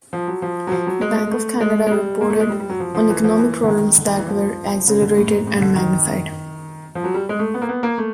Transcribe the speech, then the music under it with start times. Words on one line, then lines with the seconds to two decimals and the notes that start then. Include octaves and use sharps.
The Bank of Canada reported on economic problems that were accelerated and magnified.
0.13 F3
0.28 F#3
0.42 F3
0.67 F#3
0.72 F3
0.87 F#3
1.01 G#3
1.17 G#3
1.31 A3
1.61 G#3
1.87 G#3
1.91 G3
2.21 A#3
2.30 A3
2.40 G#3
2.49 G3
2.60 G3
2.69 F#3
2.80 F3
2.95 F3
3.10 E3
3.24 F3
3.39 E3
3.64 D3
3.68 D#3
3.98 D3
4.08 D#3
4.18 E3
4.28 F3
4.87 C#3
5.02 D3
5.17 A2
5.32 G#2
5.47 A2
5.56 C#3
5.61 D3
5.76 D#3
6.95 F3
7.04 F#3
7.14 G3
7.29 G#3
7.39 A3
7.54 B3
7.62 A#3
7.69 B3
7.83 A#3
7.98 A3